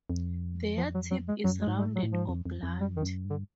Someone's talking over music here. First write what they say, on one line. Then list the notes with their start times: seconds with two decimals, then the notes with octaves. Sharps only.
Their tip is rounded or blunt.
0.10 F2
0.77 F3
0.94 F#3
1.11 F#3
1.28 G#3
1.44 F#2 F#3
1.61 G#3
1.67 G#2
1.78 G3
1.89 A2
1.96 F#3
2.03 A2
2.13 G#2 F3
2.29 F2
2.45 F2
2.63 F2
2.80 F#2 G3
2.95 F2 D#3
3.02 F#2
3.25 G2
3.30 D3